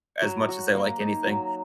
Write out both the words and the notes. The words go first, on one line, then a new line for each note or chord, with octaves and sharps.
as much as they like anything.
F#3
F#4
A#3
D#4
F#3